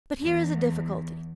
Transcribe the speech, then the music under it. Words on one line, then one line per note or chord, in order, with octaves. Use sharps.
But here is a difficulty.
E2